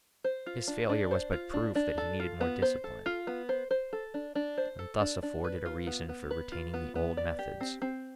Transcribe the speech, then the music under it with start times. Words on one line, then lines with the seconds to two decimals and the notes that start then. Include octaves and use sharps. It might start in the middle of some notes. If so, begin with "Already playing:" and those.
His failure was but proof that he needed more discipline, and thus afforded a reason for retaining the old methods.
0.24 C5
0.46 F4
0.68 D4
0.89 D4
1.11 C5
1.33 F4
1.54 D4
1.75 D4
1.98 A4
2.20 F4
2.41 B3
2.62 C5
2.84 A4
3.06 F4
3.27 B3
3.49 C5
3.71 C5
3.93 A4
4.14 D4
4.35 D4
4.58 C5
4.79 A4
5.01 D4
5.23 D4
5.44 B4
5.66 F4
5.87 B3
6.09 B3
6.31 B4
6.52 F4
6.74 B3
6.95 B3
7.17 D5
7.39 G4
7.61 C4
7.82 C4